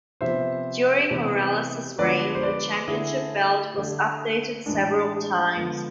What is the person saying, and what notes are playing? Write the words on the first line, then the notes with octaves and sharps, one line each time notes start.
During Morales's reign, the championship belt was updated several times.
C3 F3 B3 C5 E5
C3 E3 B3
D3 F3 G#3 B3 B4 D5
C5
B4 D5
D3 A3 E4 G#4
D3 A3
A2 E3 G#3 D4
D3 F3 G#3 B3